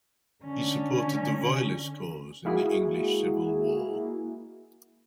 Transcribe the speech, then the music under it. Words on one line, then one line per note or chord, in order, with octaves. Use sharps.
He supported the Royalist cause in the English Civil War.
D3 C#4
G#3 A#3 E4 F#4 G#4